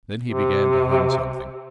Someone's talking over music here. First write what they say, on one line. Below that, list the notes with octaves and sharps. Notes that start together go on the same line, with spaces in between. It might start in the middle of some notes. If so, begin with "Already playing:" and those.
Then he began to hum something.
C3